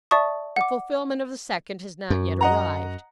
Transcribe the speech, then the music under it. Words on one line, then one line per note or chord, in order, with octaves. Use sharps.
The fulfilment of the second has not yet arrived.
D5 E5 A5 C#6 D#6
F#5 D6
F#2
D#5 F#5 A#5